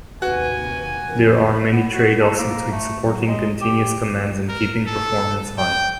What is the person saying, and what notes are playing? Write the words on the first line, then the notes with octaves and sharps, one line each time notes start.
There are many trade-offs between supporting continuous commands and keeping performance high.
D#2 A2 C3 F#4 B4 G#5
F2 A#2 D3 A#4
B3
F#4
A4
A#3
A3
F#3
G#3
G4
A#4
A4
G5